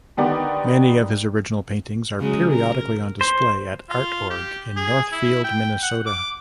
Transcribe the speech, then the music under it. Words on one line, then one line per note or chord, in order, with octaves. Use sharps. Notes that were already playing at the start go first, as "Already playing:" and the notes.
Many of his original paintings are periodically on display at ArtOrg in Northfield, Minnesota.
D3 D#3 B3 G4 D5
C#3 F#3 G#3
A#4
C5
F4
G4
G#4
E4
G5
F#5
D6